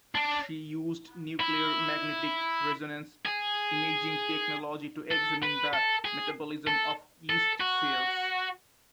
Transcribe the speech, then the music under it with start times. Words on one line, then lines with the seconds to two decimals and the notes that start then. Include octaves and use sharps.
She used nuclear magnetic resonance imaging technology to examine the metabolism of yeast cells.
0.15 D4
1.40 E4
3.25 G#4
5.12 A4
5.43 B4
5.73 A4
6.05 G#4
6.67 A4
7.30 A4
7.61 F#4